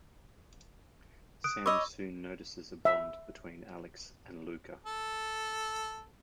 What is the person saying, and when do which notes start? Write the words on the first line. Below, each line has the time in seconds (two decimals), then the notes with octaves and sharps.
Sam soon notices a bond between Alex and Luka.
1.44 D#6 F#6 D7
1.66 C#5 D#5 B5 D6 E6
2.85 E5
4.86 A4